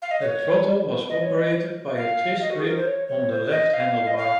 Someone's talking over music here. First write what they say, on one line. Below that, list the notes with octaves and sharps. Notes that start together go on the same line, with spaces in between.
The throttle was operated by a twist-grip on the left handlebar.
F5
D#5
C#5
D#5
C#5
D#5
F5
D#5
F#4
G#4
A#4
C5
C#5
C#5
C5
D#5
F5
D#5
F5